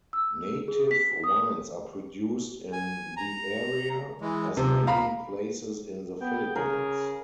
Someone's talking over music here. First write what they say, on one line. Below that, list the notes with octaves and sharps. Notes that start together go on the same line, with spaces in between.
Native wines are produced in the area, as in many places in the Philippines.
E6
G#4
B6
D#6
G#5
A#5
E3 G#3
C3 F3
F5 A#5 B5
B3 G5
C#3 G#4 A#4